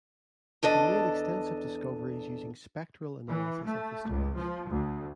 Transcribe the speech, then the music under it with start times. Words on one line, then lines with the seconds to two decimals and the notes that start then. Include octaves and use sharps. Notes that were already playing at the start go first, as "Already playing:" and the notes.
He made extensive discoveries using spectral analysis of the stars.
0.63 E2 D4 A4 D#5
3.28 E3
3.65 A3
4.07 C#2
4.38 F3
4.69 D2